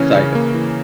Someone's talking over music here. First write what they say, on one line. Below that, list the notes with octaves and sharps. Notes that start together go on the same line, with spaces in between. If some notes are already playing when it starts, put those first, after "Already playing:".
Sorry, go ah
Already playing: C#3 E3 A#3 C#4
C#3
A#3
E3